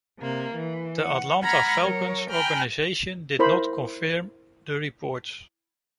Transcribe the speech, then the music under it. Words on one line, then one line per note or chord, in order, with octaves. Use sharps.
The Atlanta Falcons organization did not confirm the reports.
C3 A#3
E3
F#5
F#5 A#5 B5 F6 G#6
F#3 A#4 C#5
G5 G#5 A#5 B5 F6
E4 A#4 C5 B5